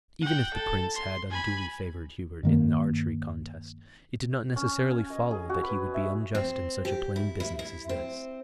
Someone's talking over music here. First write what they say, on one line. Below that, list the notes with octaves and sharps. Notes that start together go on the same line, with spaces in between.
Even if the Prince had unduly favored Hubert in the archery contest, it did not necessarily follow that he would be unjust in such a plain business as this.
F#5 G5
A4
C6
G#5 B5
G2 D#3 A#3
C#4
G#5
D#5
G#4
F#4
B4
E5
C4
G4
E4
E4
E4
C4